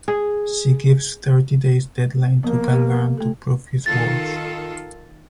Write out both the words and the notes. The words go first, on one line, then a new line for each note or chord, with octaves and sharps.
She gives thirty days deadline to Gangaram to prove his worth.
G#4
F3 A#3 B3
G4
A3 A4
D#3 F4 A4 A6